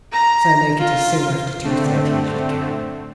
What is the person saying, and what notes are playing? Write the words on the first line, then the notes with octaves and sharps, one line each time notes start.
"So make it as soon after two-thirty as you can."
A#5
F4
D3 A3 C4